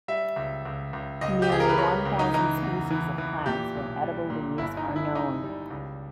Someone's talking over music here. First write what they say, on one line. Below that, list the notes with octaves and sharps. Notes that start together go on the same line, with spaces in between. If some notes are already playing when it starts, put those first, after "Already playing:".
Nearly one thousand species of plants with edible leaves are known.
G3 E5
C#2
C#2
C#2
C#2 D#5
G4
C#2 G#4
A#4
B4
C#2 C#5
C#2
D#4
E3 D#4
E2
E3
E3
A#2 G4
B1
G3
A#2
G1 E4
D#4
G1
E4
G1 D#4
G3
C#2